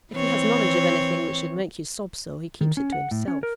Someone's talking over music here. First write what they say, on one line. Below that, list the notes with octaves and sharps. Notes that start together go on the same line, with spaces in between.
If he has knowledge of anything which should make you sob so, he keeps it to himself.'
E3 C4 C#5
D#3
C#4
F#5
A2
C#4
A#4